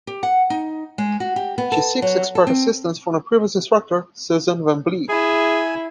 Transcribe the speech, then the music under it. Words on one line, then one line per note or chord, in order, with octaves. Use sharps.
She seeks expert assistance from a previous instructor, Susan van Bleeck.
G4
F#5
D#4
G#3
F#4
G4
B3
A4
F#3
A4
C4
E4 G#4 G#5